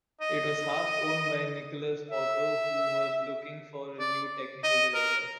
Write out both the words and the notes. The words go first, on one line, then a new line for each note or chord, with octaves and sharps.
It was half-owned by Nikolaus Otto, who was looking for a new technical director.
D#5
E5
D5
D#5
A#4